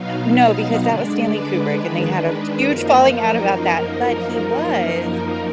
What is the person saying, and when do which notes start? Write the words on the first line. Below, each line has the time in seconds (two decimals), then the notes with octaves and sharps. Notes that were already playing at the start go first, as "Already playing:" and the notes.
No, because that was Stanley Kubrick, and they had a huge falling out about that, but he was
Already playing: B2 F#3 B3 D#4 F5
0.38 D#5
0.83 D3 G#3 D4 D5
1.29 B4
1.74 D#3 G#3 D4
2.64 F#2 F3 A#3 D#4 A#4